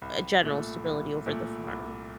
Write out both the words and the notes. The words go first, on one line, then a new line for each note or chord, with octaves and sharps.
a general stability over the farm.
C2
A#2 A3
C2
A#2 A3
C2